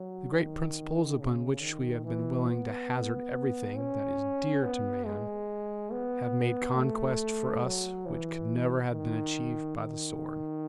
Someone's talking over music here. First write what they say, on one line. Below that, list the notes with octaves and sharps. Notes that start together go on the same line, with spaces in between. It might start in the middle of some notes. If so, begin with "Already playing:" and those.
The great principles upon which we have been willing to hazard everything that is dear to man, have made conquests for us which could never have been achieved by the sword.
Already playing: F#3
D#3
C#3
D#3
E3
B3
C#4
B3
G#3
B3
A3
F#3
E3
D#3
D#3